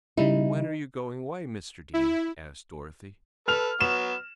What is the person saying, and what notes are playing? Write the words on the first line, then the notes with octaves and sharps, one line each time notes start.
"When are you going away, Mr. Dene?" asked Dorothy.
C#3 G3 D#4 E4
E4
A4 B4 F6 F7
F#3 B3 E7